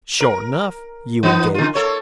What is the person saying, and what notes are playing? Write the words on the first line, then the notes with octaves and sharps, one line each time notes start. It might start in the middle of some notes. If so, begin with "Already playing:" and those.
"Sure enough, you engaged?"
A#4
E3 B3 D#4
D3 F4
A#3 A4 C#5